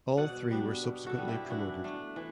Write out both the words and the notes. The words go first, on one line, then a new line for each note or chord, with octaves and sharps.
All three were subsequently promoted.
B2 D5 F#5
G3 B3 D4
B2
F#4 A4
G3 B3 D4
E4 G4
E3 D4 F#4
A3 D4
E3